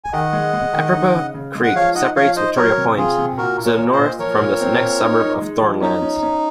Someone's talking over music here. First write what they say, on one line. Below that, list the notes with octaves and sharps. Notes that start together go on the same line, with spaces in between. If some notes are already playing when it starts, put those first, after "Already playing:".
Eprapah Creek separates Victoria Point to the north from the next suburb of Thornlands.
G#5
D#3 D#5 F#5
G#3
G#3
D#3
D#4
C#3
C#3
G#3
F#5
F3 C#5 F5
D#4 D#5 F#5
F3 C#5 F5
D#4 C5 D#5
F#3 A#4 C#5
C3
C3 F4 G#4
C3
A#2 F#4 A#4
A#2
A#4 C#5
A#2
C5 D#5
A#2
F3 A#4 C#5
A#2
C4
A#2
D#4
D#4
G#3
F3
C#4 D#4
C#4
C#4